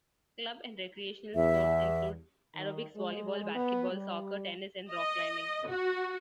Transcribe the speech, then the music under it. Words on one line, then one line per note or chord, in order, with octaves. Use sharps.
Club and recreational sports include aerobics, volleyball, basketball, soccer, tennis and rock climbing.
E2 E5
D#3
G#3
B3
G3
D#5
F#4